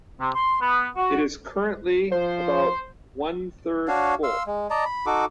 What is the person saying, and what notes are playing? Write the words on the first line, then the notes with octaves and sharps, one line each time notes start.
It is currently about one third full.
C3
C6
B3
F#4
F3 C5
D4 F#4 C#5 F5
F5 C6 E6
G#3
D5 D#5 A5 A#5
B5
D#4 F#4 A4 D6